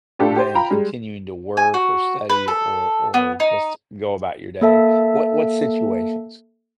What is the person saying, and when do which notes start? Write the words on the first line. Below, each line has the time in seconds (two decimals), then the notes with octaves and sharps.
than continuing to work or study or or just go about your day? What what situations?
0.19 A2 D4 F4 G4 A4
0.36 G4 C5
0.54 F4 G5 A#5 B5
0.71 G3 G#3
1.57 G#5
1.74 F#4
2.30 B4
2.48 A4
3.14 B3
3.40 D#4
4.61 A#3 A4 E5 A5